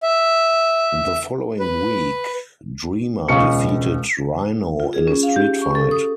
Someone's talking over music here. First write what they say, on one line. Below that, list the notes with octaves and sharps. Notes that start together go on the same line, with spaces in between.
The following week Dreamer defeated Rhino in a Street Fight.
E5
B4
E1 C#2 F5 C#6 C#7
F4
G#4
C#4
F5
G4
C#6
A4
D#6